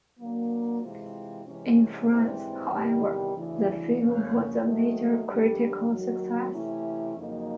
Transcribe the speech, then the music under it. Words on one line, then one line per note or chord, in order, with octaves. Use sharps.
In France, however, the film was a "major critical success".
D3 F#3 A#3
C3 E3 G#3 C4 F4
C3 E3 G#3 C#4
G#2 E3 G3 C4
E2 C3 D#3 G3
D2 C#3 E3
F2 C#3 F3 A#3 C#4
D#3 F#3 A3 C4
F2 D3 G3
D#2 D#3 F#3
C3 E3 A3 C#4 E4
F2 C#3 F#3 A#3 D#4